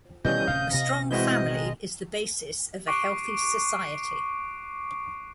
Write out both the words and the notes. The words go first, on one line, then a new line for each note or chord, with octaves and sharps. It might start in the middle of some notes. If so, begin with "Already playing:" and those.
A strong family is the basis of a healthy society.
B2 D#3 E3 G3 C#4 D#5 G6
D1 C3 C#4 F5
A1 B2 A#6
E3 G#3 C4 E4 F#4 D#5 G6
D#3 G#3
C#6 D6 F#6 C7 D7